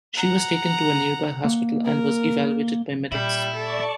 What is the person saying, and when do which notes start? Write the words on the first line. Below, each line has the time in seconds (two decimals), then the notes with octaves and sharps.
She was taken to a nearby hospital and was evaluated by medics.
0.15 F#5 A#5
1.45 A#3
1.84 A#4
3.12 A#2 G3 E4
3.55 A4 D5 A5 C#6